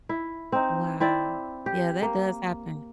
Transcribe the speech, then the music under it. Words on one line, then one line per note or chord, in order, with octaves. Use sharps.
Wow. Yeah, that does happen.
E4
C4 D#4
C4 E4 D5
G4
A#3